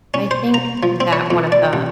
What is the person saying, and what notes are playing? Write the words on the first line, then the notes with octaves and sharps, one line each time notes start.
I think that one of the
C#4
C5
A#5
F3
C4
C#5
F2
D5
A1